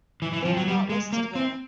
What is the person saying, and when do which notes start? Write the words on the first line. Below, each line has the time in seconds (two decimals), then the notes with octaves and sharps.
They are not listed here.
0.22 E3
0.33 E3
0.45 F3
0.57 F#3
0.68 G3
0.89 G#3
1.13 A#3
1.35 C4